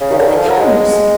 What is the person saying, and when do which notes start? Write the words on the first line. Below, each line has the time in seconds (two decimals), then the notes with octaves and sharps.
Look at the Cones!
0.01 C#3
0.10 D#3
0.13 C#3
0.18 D3
0.27 D#3
0.36 F3
0.49 F#3
0.60 G#3